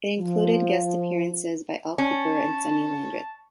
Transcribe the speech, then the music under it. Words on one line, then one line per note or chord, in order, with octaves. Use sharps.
It included guest appearances by Al Kooper and Sonny Landreth.
F3
C#4 A5